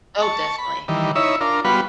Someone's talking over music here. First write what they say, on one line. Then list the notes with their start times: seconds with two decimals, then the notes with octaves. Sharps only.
Oh, definitely.
0.22 A5 C#6
0.58 B5
0.88 D#3 E3 G3
1.16 D#4 E4 C#5 E5
1.41 D4 F4 A#4
1.64 G3 B3 F4 F#4 B4